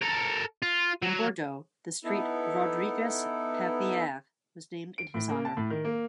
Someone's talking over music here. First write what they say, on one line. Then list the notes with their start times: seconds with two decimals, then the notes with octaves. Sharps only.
In Bordeaux the street "Rodrigues-Pereire" was named in his honor.
0.02 A4 A#4
0.62 F4
1.02 F#3
2.05 B3 D#4 E4 A4
4.98 D7
5.14 A2
5.29 A#3
5.45 A5
5.57 A2
5.70 D#3
5.85 A#3